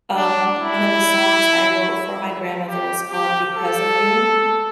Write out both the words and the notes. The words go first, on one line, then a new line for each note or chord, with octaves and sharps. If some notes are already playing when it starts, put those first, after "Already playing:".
um, one of the songs I wrote for my grandmother is called "Because of You"
D4
E4
G4
G4
A4